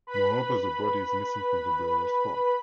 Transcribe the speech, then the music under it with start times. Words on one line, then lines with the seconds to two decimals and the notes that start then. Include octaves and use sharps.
Moreover, the body is missing from the burial spot.
0.07 B4 B5